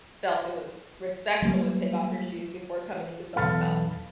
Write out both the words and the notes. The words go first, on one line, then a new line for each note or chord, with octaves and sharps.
felt it was respectful to take off your shoes before coming into someone's house.
F#3 G3 A3 A#3
B1 E2 D#3 A4 B4 F5